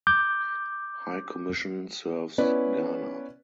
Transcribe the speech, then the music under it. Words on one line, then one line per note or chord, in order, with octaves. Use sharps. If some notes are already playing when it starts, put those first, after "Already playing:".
High Commission serves Ghana.
D6 G6
B3 C#4 E4 B4 D5